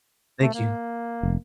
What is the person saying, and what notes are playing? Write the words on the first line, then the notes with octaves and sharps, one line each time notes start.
Thank you.
A3
A#3
F1